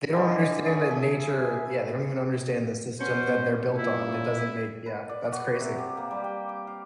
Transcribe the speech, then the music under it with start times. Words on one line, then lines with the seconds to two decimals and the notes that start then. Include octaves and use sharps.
They don't understand that nature yeah, they don't even understand the system that they're built on, it doesn't make yeah, that's crazy.
0.13 D3 E3 G3 D#5
0.66 G#4 C#5 E5
0.89 G#4 A4
3.00 B3 C#4 C5
3.78 A#2 E4
4.86 B4
5.09 D5
5.32 F#4
5.60 C3
5.78 G4
5.97 A#3
6.11 G3
6.24 G5
6.49 D6
6.67 F5